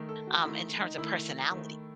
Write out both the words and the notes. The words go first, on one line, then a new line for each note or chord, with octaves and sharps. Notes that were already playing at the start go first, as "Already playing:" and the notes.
um, in terms of personality.
Already playing: D#3 A3
A4
F#4
D#3 A3 E4
D#4
D#3 A3 E4
D#3 A3